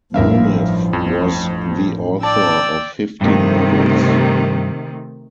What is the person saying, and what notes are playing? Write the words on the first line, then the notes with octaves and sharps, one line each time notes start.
Munif was the author of fifteen novels.
A1 G2 F3 A#4 E5 F5
F2
D5 G5 A5 E6
G2 C3 D#3 A3